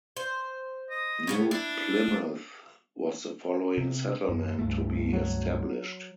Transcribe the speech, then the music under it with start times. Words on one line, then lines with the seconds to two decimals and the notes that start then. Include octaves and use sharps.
New Plymouth was the following settlement to be established.
0.17 C5
0.90 D#5
1.27 A2 C#3 B3
1.51 D4 E4
3.78 C3
4.29 F#2
4.59 C#2 G2 A3
5.13 F#3